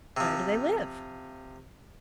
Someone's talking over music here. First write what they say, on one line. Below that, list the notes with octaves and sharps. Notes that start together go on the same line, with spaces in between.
"Where do they live?"
C3 F3